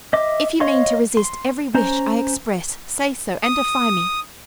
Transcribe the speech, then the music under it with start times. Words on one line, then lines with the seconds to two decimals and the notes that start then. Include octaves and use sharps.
If you mean to resist every wish I express, say so and defy me.
0.13 D#5 E5 D6
0.60 C#5 D#5 F5 C6 C#6
1.17 C6
1.75 C#4 C5 A#5
3.43 D#6